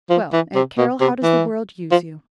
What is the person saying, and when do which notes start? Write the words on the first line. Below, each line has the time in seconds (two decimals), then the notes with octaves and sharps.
"Well, Aunt Carroll, how does the world use you?"
0.10 F3
0.33 E3
0.55 C3
0.78 B2
1.01 C3
1.23 E3
1.92 F3